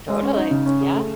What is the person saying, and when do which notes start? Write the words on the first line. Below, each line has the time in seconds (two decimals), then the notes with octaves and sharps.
Totally. Yeah.
0.09 G#3
0.22 C#4
0.36 D#4
0.51 C#3
0.66 C#4
0.81 G#4
0.95 A3